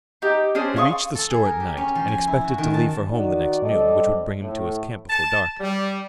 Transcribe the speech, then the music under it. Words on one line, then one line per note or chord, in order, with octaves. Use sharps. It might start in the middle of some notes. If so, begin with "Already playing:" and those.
He reached the store at night and expected to leave for home the next noon, which would bring him to his camp before dark.
D#4 G4
C#4 D4 G#4 C5
F5 C6 C#6 D#6
A4
G#4
A#4
G4
C#4
F3
G#5
E4
F#4
D#3
A5
D#3 F#4 D5
G3 C4 D4 A4 D5 D#5
A2
A5
G3